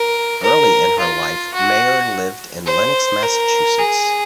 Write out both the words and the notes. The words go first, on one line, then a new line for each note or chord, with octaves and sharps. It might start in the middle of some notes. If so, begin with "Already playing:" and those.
Early in her life Mayer lived in Lenox, Massachusetts.
Already playing: A#4
A#4
F4
F#4
C5
A#4
G#4